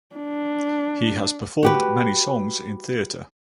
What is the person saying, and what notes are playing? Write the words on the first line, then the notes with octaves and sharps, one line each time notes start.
He has performed many songs in theatre.
D4
F#4 G4 B4